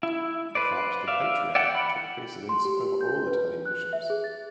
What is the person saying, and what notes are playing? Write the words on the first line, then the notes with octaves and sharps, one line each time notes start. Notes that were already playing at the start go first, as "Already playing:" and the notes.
In fact, the patriarch took precedence over all Italian bishops.
E4
B4 C5 D5
D5 E5 F5
D5 E5 F#5 G5
F#5 B5
C6
G4
G6
B4
F#6
E5
G#4
A6